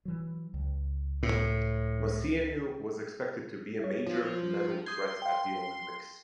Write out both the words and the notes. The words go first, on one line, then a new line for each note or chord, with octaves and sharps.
Moceanu was expected to be a major medal threat at the Olympics.
E3 F#3
C#2
A2
E4 C#5
F3
C6 D#6 G6 G#6
F5 G5